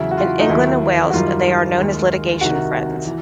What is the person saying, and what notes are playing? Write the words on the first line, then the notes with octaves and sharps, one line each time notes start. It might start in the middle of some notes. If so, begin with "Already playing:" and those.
In England and Wales they are known as litigation friends.
Already playing: E2 C#3 F#3 E4
F#4
F4
D#4
D#2 D#3 F#3 E4
F#4
F#2 D#3 G3 F4
D#2 D#3 G#3
C2 C3 D#3 F#4
E3